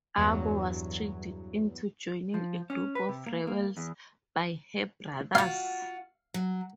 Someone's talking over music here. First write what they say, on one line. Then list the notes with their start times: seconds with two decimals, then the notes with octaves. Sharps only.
Abo was tricked into joining a group of rebels by her brothers.
0.18 E2 G2 F#3
2.34 F3
2.70 C#4
2.95 B4
3.09 C3
3.27 A#3
3.47 A#3
3.77 E2
5.35 F4 F#4 F5
6.34 F#3